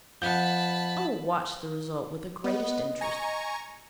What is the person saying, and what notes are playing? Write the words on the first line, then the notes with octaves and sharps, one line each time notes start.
I will watch the result with the greatest interest.
F2 F#5 A5 B5 G6
B3 D#5
G#5 A#5 C#6